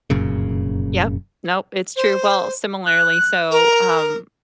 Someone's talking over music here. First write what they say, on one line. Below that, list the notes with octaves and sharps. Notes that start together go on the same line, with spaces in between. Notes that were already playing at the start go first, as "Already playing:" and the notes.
Yep, nope, it's true, well, similarly, so, um,
F1 F#2 A#2 C#3
C5
F#6
A#4